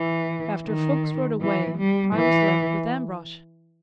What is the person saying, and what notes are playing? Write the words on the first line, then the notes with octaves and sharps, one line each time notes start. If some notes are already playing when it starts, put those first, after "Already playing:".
After Fuchs rode away, I was left with Ambrosch.
Already playing: E3
D#3
E3
G3
E3